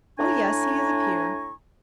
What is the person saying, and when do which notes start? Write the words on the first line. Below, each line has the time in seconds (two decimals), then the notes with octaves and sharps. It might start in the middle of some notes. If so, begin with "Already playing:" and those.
"Oh, yes, he is a peer."
0.18 A2 D4 G#5 A#5 C#6